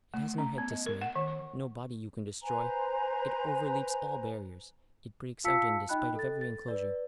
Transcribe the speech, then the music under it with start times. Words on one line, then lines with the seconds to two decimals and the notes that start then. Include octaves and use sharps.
It has no head to smite, no body you can destroy; it overleaps all barriers; it breaks out in despite of every enclosure.
0.14 A3
0.38 C#4
0.58 B3
0.71 D#5
0.86 A#4
1.01 F#5
1.15 D#3
1.28 C#6
2.43 B4 C5 G#5 A#5
5.44 F4 F5 A5 E6 B6 C#7
5.89 D#4 D#5 G5 B5 F#6
6.15 A4 A6
6.41 A6
6.68 B4 D5